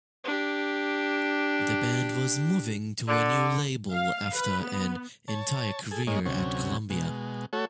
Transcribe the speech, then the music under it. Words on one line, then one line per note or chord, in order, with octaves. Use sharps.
The band was moving to a new label after an entire career at Columbia.
D4 G4
D3
F5
B4
B3
C#5 A5
G#4 A4
G#2 G#3 A#3 C#5 D#5
D2 C3 F#3 C#4
B2 G#3
A3 F#4 A4 C#5